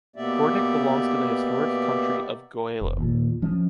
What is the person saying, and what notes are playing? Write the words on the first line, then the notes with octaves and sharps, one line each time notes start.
Pordic belongs to the historic country of Goëlo.
B2 A#3 B3 G4 D5 E5
F1
D#2 A#2
F3 C#4